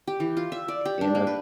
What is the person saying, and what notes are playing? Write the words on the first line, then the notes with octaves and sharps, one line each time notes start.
in a
G4
E3
F4
E5
D5
G4
D4
A#3
B4